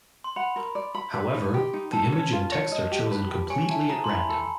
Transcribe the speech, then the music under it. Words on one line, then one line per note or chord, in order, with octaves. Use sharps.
However, the image and text are chosen completely at random.
C6
F#5 B5
A#4
D5
B5
B4
D#4
G4
D#4
A4 A5
C#4
F4
C#5
D#5
G4
B4
G4
C#5 G#5
E4 A5
G#4 A#5
C6
E4 B5
A4